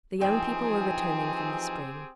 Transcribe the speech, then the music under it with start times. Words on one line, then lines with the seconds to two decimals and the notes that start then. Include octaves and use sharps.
The young people were returning from the spring.
0.21 E3 F3 C4 D#4 G4 G#4 G5